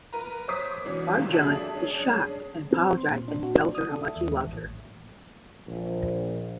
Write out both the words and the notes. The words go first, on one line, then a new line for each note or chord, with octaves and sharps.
Arjun is shocked and apologizes and then tells her how much he loved her.
A#4 B4 A#5
C5 C#5 D6 D#6 B6
B2 D3 E3 C#4
F#1 B1 F2 C3 D#3 A#3
F#3 D4 G#4 A4 E5 F#7
C#4 D4 G#4
C4
C6
A#2
D4
F#4
D5
D#6
A4
E5
D#2
G#2
A1
A#1